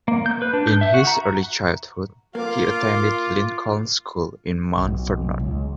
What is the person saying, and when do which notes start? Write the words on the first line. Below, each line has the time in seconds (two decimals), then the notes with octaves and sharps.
In his early childhood he attended Lincoln School in Mount Vernon.
0.08 A#3
0.26 G6
0.42 B4
0.53 D4
0.67 G6
0.81 E5
0.94 F#4
1.07 A#5
2.35 A#3 F4 F5 D6
4.77 B1
5.39 C#2